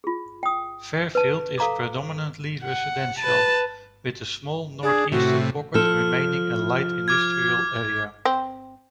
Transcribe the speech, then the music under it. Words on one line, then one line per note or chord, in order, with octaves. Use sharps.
Fairfield is predominantly residential, with a small north-eastern pocket remaining a light industrial area.
F4 G#4
G5 D#6
B4 A5
A4 F5 A#5 C#6 D6
F#5
B4 A5
D4 G#4
A2 C3 F#4
F3 A4 F6
D6 F6 G#6
C4